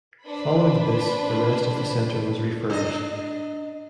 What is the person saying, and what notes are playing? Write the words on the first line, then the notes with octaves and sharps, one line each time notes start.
Following this the rest of the centre was refurbished.
C4 D4 B4 C5 B5
D4 D#5